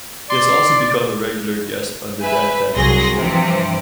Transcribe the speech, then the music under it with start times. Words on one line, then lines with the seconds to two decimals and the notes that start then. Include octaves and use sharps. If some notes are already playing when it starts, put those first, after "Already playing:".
He has also become a regular guest on The Dan Patrick Show.
0.30 D5 C6
2.21 B4 E5 G#5
2.74 C2 F#3 G#4 C6 A#6
3.18 G2 C3 E3 F3